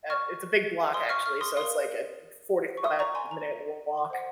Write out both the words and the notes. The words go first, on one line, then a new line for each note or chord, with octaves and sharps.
uh, it's a big block, actually, so, it's like a forty-five-minute walk.
C#6 F6
C6 D#6
C#6 F6
C#6 F6
C6 D#6
A#4 F5 C6 D#6
C#6
C6 D#6
A#5 C#6
G#5 C6
A#5
C5 F#5